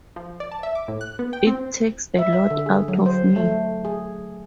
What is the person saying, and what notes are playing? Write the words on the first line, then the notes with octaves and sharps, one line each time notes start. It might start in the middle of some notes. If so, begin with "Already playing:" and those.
It takes a lot out of me.
F3
D5
A5
E5
D6
A2
F#6
B3
G5
C4
E5
E5
D3
G#4
F#3
C5
A3
G#4